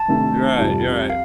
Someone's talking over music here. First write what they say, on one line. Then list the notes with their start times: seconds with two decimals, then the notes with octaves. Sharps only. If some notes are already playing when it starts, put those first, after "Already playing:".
You're right, you're right.
Already playing: A5
0.08 C3 D#3 A3 D4
0.59 F2 C3 G3
1.10 F5